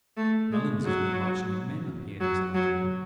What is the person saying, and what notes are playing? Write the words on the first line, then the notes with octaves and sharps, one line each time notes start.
Mullins has been marching his men up here this afternoon.
A3
G#3
F#3
F#3
F#3